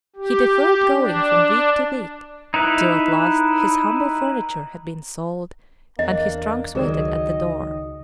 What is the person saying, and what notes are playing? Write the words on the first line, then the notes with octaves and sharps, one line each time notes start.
He deferred going from week to week, till at last his humble furniture had been sold, and his trunks waited at the door.
G4
D4
D#4 E4 B4
E2 A#3 D4 D#5
C#2 D#3 F#3 G#4 A#4 D5 D#5